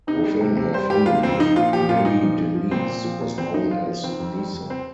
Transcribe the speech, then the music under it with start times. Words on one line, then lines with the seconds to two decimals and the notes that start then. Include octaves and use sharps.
Within her family, Marie-Denise was known as Nisa.
0.07 C3 D#4
0.24 G3
0.41 C3
0.57 C3
0.73 G3 C5
0.90 G3 G4
1.06 C3 F4
1.23 F2 C4
1.39 F3 D#4
1.56 A#2 F4
1.73 F3 G4
1.89 A#2 F4
2.05 A#2 D#4
2.22 F3
2.38 F3
2.55 F3
2.71 A#2 C4
2.88 A#2
3.05 F3
3.21 A#2
3.38 A#2 C4
3.54 F3 D#4
3.71 F3 F4
3.87 F3
4.04 D#3 C4
4.20 F2
4.37 G3
4.53 F2
4.70 C4